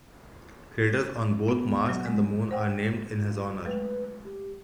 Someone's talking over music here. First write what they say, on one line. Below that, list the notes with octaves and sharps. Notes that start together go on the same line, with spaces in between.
Craters on both Mars and the Moon are named in his honor.
B3
F#3
G#3
C5 F#5 G5
F4
F#3 G#3 A3 B4
G4